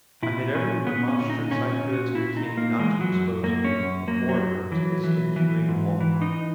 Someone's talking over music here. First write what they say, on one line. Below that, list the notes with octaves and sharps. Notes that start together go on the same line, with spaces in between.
I made every remonstrance I could to the king not to expose me, a foreigner, to this inhuman law.
A#2 E4
A#2 C#4
A#2 B3
C#4
A#2
D#4
A#2 C#4
C#4
A#2
F#4
A#2 E4
D#4
A#2
A#3
E3 G#3
F#3
F#2
F#2 A#3
C#4
F#2
F#2 A#3
F#3
F#2
E3 F#3
E3
E3
G#2
E3
D#4